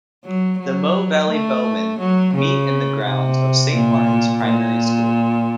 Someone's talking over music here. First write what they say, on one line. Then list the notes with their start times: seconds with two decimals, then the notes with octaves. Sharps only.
The Mole Valley Bowmen meet in the grounds of Saint Martin's primary school.
0.24 F#3
0.59 F#3
1.29 A3
1.99 F#3
2.34 C#3
3.04 C3
3.74 A#2
4.44 A#2